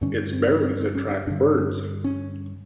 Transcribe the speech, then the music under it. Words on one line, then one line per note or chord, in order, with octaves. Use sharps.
Its berries attract birds.
G2 D3 C#4
C4
C4
C4
C#4
D4
G2 D3 D4
C#4
C#4